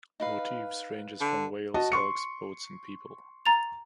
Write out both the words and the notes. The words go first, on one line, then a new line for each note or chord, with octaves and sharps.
Motifs ranges from whales, elks, boats and people.
D#4 B4 F5
D3
F#4 D#5 A5
C6 C#6 C#7
A#5 A6 F7